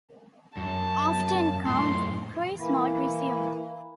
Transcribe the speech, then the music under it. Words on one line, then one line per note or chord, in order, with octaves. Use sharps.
After encounter, cruise mode resumed.
F#2 A5
F#2 A2 C6
E3 A#3 E4